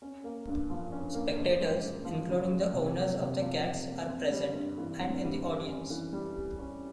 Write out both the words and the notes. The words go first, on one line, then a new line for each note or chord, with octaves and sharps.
Spectators, including the owners of the cats are present and in the audience.
C#4
A#3
G2
F3
C#4
A#3
C#3
G#3
C#3
F3
C#3
G#3
C3
A#3
C3
F3
C3
A#3
C4
G3
G2
E3
C4
G3
G4
C#4
E3
G3
G4
C#4